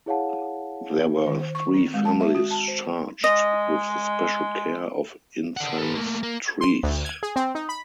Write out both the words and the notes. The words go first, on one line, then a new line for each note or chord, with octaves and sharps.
There were three families charged with the special care of incense-trees.
E4 G#4 C#5 F5 F#5 A5
D#3
C5
C#6
C4
G#3
A5
E5
F#4
A5
C5
G#3 D#5
D5 F#5
A4 B4
A3 A#3
A#3
C6
D2
G#6
G#4
C4
D#4
B5